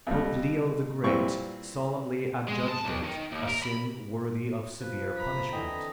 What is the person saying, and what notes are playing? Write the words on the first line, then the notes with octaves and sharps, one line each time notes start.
Pope Leo the Great solemnly adjudged it a sin worthy of severe punishment.
F2 G3
A#2 E3 G3 C4 E5 C#6
G#3
A5
B1
D#3
D#2
A#4
B5
F3 B4
A#5 B5
D3 E3 C4 D#5